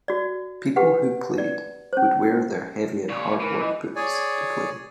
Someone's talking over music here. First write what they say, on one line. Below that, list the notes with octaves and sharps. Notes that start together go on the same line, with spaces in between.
People who played would wear their heavy and hard work boots to play.
F#4 D5
G4 B4 F#5
D5
C#4 C5
A#2 C#5 D5
E3 A#4
D#5
G#4 C#5 D5 G#5